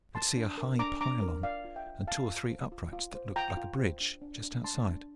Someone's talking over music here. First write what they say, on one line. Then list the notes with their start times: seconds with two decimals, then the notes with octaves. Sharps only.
I could see a high pylon and two of three uprights that looked like a bridge, just outside.
0.15 A#4 A5 C6
0.37 D4
0.58 A#4
0.79 D4 A#5 D6
1.01 D4 A#5 D6
1.22 A#4
1.43 F4 D5 F5
1.65 F4
1.76 E5 G5
1.86 F4
2.08 F4 F5 A5
2.29 F4
2.50 C5
2.72 F4
2.93 F4
3.15 C5
3.36 F4 G5 A#5
3.57 F4
3.79 C5
4.00 D4
4.22 D4
4.43 D4
4.64 D4 A5 C6
4.86 D4